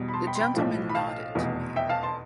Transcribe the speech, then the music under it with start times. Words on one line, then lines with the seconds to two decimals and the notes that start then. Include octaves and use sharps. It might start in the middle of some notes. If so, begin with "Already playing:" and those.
The gentleman nodded to me.
Already playing: E2 B2 G3
0.08 B5
0.14 A5 C6
0.27 G5 B5
0.35 C6
0.40 G5 B5
0.54 B1 A2 F3
0.89 B5
0.95 F5 A5
1.35 F1 E2 B2
1.76 E5 G5
1.89 F5 A5
2.03 A5 C6